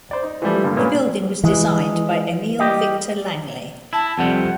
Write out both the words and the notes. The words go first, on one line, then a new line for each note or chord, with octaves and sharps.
The building was designed by Emil Victor Langlet.
C5 D5
D#4
E3 F3 G3 A3
G2 D3 A#3
A#2 A#3 B3 C#4
E3 G#3
G3 G4 D#5
E4 A5
F2 C3 G3 F#5